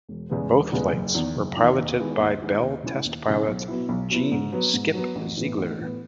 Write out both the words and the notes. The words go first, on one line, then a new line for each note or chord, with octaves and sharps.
Both flights were piloted by Bell test pilot Jean "Skip" Ziegler.
E1
E2 C#3 G#3 B3
E1
E2 C#3 G#3 B3
F#1
E2 D#3
F#1
E2 D#3
D#2
D#3 G#3 B3 E4
D#2
D#3 G#3 B3 E4
D#2
C#3 G#3 C#4 E4
D#2
C#3 G#3 C#4 E4
B1
B2 F#3 B3 E4
B1
B2 F#3 B3 E4
G#2
F#3 B3
G#2
F#3 B3
A1
A2 E3 B3
A1
A2 E3 B3